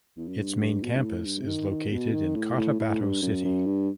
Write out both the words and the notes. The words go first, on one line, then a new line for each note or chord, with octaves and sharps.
Its main campus is located in Cotabato City.
E2
F#2
G2
G2
B2
G2
A2
G2
C3
D#3
D#3
B2
D#3
A2
A2
A2
G2
F#2
F#2
G2